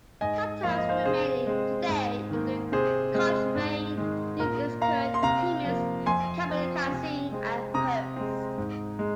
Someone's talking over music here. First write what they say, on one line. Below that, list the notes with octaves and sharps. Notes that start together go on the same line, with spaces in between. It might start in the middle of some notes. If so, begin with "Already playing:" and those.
Some towns still remaining today include Cochrane, New Liskeard, Timmins, Kapuskasing, and Hearst.
G#2 D#5 G#5
F3 A#3 F5
D#5
C5 F5
C3 G#4 C5
G#3 C4
G#2
D#3 A#3
C3 G#4 C5
G#3 C4
G#2
D#3 G#3
A#2 A#4
A#3 F5 A#5
C6
C3 F5 A#5
F3 A#3
F2 G#5 C6
F3 C4
C3
G#3 C4
C3 A#5 D#6
G#3 C4
G#2
G#3